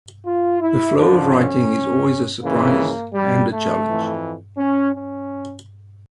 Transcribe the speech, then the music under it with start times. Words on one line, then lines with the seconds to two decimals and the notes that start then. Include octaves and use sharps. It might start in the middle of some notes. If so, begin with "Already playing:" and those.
The flow of writing is always a surprise and a challenge.
0.26 F4
0.61 E4
0.97 F2 D3 F3 D4
1.34 C#4
2.42 C#2 C#3 E3 A#3
3.14 G3
3.49 A3
3.85 F2 E3
4.57 C#4
4.93 C#4